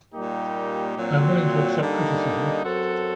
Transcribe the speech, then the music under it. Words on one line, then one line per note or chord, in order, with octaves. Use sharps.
I am willing to accept criticism.
A#2 G3 A#3 D#4 G4
A#2 F#3 C4
D3 G3 A#3 D#4
F#2 F#3 C4 F#4 A4